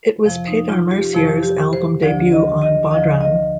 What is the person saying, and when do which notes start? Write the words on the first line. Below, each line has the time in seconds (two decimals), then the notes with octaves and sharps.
It was Peadar Mercier's album debut on bodhran.
0.24 F2 C3 F3
0.47 D#4
0.69 F4
0.91 G4
1.13 F2 C3 F3
1.43 G4
1.73 C5
2.02 D2 D3 F3 D5
2.32 D#5
2.62 D#5
2.91 D2 D3 F3 D#5
3.21 D#5